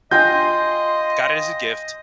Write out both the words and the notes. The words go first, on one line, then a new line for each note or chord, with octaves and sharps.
Got it as a gift,
F4 D#5 G5 G#5 C6 G6